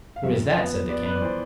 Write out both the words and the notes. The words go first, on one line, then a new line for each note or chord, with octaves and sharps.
"What is that?" said the king.
F5
F2 E5
B3
B3 D5
B4
D5
E3 C5